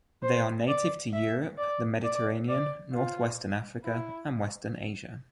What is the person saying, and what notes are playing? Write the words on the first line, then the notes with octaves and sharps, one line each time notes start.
They are native to Europe, the Mediterranean, northwestern Africa, and western Asia.
C5
D5
E5
D5
D5
D5
F4
E4